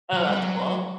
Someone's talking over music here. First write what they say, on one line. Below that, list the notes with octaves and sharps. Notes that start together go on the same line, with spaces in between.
Oh, that's cool.
F#3
G3
F#3